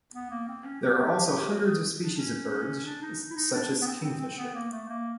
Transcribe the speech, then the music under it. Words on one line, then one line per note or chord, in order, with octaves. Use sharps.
There are also hundreds of species of birds such as Kingfisher.
B3
A#3
C4
C#4
G4
G4
G4
F#4
G#4
D4
C#4
D4
D#4
E4
D#4
D4
B3
C4
C4
C4
B3
A#3
A3
A#3